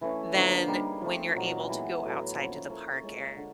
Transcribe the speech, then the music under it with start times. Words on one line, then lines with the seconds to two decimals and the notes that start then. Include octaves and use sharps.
than when you're able to go outside to the park ar
0.01 E3 A3 C#4
0.34 D3 F3 A#3 D4
0.67 G3 A#3 D#4 G#4
1.01 F3 A3 C4
1.35 A#2 F#3 A#3 D#4
1.69 E3 G#3 B3
2.01 A2 F#3 A3
2.35 F3 A#3 C#4
2.69 A#3 C#4 E4 A4
3.02 G#3 C#4 F4
3.37 D3